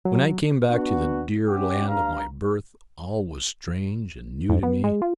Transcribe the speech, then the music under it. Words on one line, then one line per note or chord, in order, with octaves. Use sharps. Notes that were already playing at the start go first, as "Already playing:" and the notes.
When I came back to the dear land of my birth, all was strange and new to me.
F#3
B3 D4 F#4
C3 C#4 F#4 G4
G2 D4 F5 A#5
F2
B3
G#3
F4